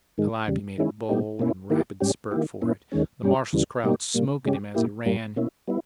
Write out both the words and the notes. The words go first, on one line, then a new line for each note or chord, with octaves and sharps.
Calliope made a bold and rapid spurt for it, the marshal's crowd "smoking" him as he ran.
G#2 D#3 G#3
E2 C#3 G3
D#3 G#3 C#4 E4
A#2 G3 B3 D#4 G4
B2 A#3 C#4 E4
D#3 A#3 E4 G4
G#2 G3 C#4 G4
D#3 A#3 E4 G4
A#2 A#3 C#4 E4
D#2 D#3 G#3 C#4
G2 G3 C#4 G4
D#2 C#3 E3 G3
B2 G3 A#3 D#4 G4
A#2 G3 A#3
C#3 G#3 C#4 G4
A#2 A#3 E4 G4
G2 G3 A#3
B2 A#3 C#4 E4
G3 B3 E4